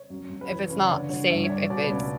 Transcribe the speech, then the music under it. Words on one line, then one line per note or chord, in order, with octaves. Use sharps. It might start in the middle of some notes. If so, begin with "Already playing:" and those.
if it's not safe, if it's
Already playing: C#5
F#2
F#2
B4
E3 C#5
C#3 B4
D5
D3 C#5
D3 C#5
G2 E5
C#5
G2 D5
B2 D5
B4
C#2 C#5